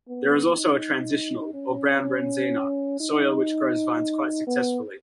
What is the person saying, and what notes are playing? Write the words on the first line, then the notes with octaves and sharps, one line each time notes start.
There is also a 'transitional', or brown rendzina, soil which grows vines quite successfully.
B3
D#4
C#4
D#4
B3